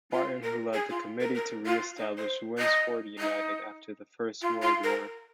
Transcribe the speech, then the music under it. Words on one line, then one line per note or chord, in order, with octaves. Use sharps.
Barton, who led the committee to re-establish Winsford United after the First World War.
F4
A#4
G#4
F4
A#4
A#4
F4
D#4
C5
D#5
D#4
F4
F4
A#4